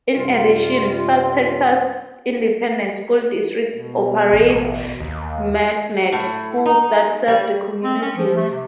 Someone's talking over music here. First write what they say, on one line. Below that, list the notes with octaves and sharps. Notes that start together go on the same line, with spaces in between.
In addition, South Texas Independent School District operates magnet schools that serve the communities.
F#2 C3 G3 F4
B2
A1
D#2
A2
D#4
G3
C4
C#4
F3
A3
C3